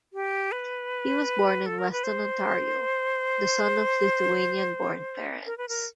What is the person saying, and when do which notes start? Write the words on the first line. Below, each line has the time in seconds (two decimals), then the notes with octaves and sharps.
He was born in Weston, Ontario - the son of Lithuanian-born parents.
0.13 G4
0.52 B4
1.66 A4
1.78 A#4
1.92 B4
2.04 C5
5.46 A#4
5.58 B4
5.69 A#4